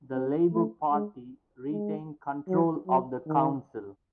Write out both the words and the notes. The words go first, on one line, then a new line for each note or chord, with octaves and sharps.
The Labour Party retained control of the council.
C4
A3
G#3
G#3
F#3
F#3
D#3